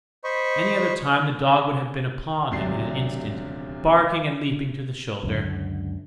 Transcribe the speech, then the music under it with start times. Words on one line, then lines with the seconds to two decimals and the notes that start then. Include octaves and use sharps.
At any other time the dog would have been upon him in an instant, barking and leaping to the shoulder.
0.24 C5 D#5 B5 C#6
2.51 D#1 D2 C3 F#3 D4 C7
5.23 C#2 F#2 D3